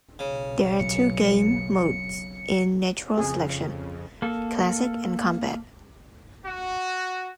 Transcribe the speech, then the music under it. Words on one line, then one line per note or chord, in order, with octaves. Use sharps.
There are two game modes in "Natural Selection": Classic and Combat.
B1 C#3
F#3 C#7
F2 C#3 G#4
A#3 A4
F#4